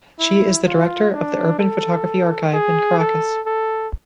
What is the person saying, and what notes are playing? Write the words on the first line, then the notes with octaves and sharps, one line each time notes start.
She is the director of the Urban Photography Archive in Caracas.
E4
F4
D4
A4
G#4
A4
A4